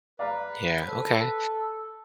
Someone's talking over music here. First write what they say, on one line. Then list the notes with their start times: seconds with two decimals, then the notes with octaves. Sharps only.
Yeah, okay.
0.19 B4 D5 F5 A#5
0.87 A4 C5